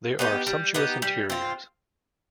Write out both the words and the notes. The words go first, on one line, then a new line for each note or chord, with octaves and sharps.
There are sumptuous interiors.
B3 D#4 G4
G3
B3 D#4 G4
G3
C4 F4